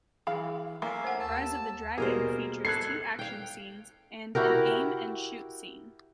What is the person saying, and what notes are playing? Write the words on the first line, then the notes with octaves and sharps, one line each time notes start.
"Rise of the Dragon" features two action scenes and an aim-and-shoot scene.
E3 G#4 F5 B5
A3 A#3 C#4 E5 F5 A#5
C5 F#5
D#2 A5 E6
B2 G3 A#3 G#4 A#4 C5
A4 F#6 G#6 C7
F5 G5
E4 F#4 G4 A#4